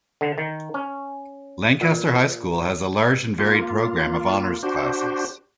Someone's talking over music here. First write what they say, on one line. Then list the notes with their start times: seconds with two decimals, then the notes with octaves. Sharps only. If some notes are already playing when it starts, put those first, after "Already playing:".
Lancaster High School has a large and varied program of honors classes.
0.21 D3
0.38 D#3
0.74 C#4
1.81 A#2
3.38 A#3 F4
4.63 D4 F#4 G4 C5